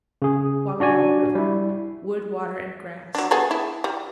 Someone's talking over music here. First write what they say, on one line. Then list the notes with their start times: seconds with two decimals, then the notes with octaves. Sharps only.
Wallah Wallah River.--Wood, water, and grass.
0.22 C#3 G#4
0.80 D4 F#4 D5 G#5
1.35 G3 E4
3.15 F#3 D4
3.31 B3 G#4 A4
3.51 E4
3.84 G3